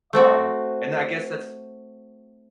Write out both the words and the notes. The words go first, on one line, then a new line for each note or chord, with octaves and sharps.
Um, and then I guess that's
A3 C4 F#4